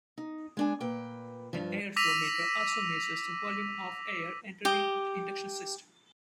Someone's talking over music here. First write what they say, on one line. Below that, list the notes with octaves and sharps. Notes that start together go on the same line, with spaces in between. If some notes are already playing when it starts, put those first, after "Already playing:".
An air flow meter also measures the volume of air entering the induction system.
D#4
G#3 D4 G#5
A#2 B4 G5
G2 F3
D6 E6 A#6 B6 D#7 F7
G4 D#5